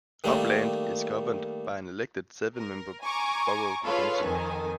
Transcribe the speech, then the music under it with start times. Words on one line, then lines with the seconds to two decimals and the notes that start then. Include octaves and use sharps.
Upland is governed by an elected seven-member borough council.
0.24 D#3 G3 A3 A#3
2.57 A#4
3.04 G#5 A#5 C#6 D6
3.85 F4 G#4 A4 B4 C#5 F5
4.25 F2 D#3 A4 G#5